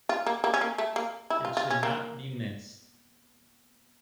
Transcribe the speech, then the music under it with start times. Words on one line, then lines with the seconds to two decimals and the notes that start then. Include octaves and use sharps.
It should not be missed.
0.09 F4
0.26 A#3
0.44 A#3
0.54 C#4
0.61 A#3
0.78 A3
0.96 A#3
1.30 E4
1.45 F4
1.57 F4
1.70 C#4
1.83 A#3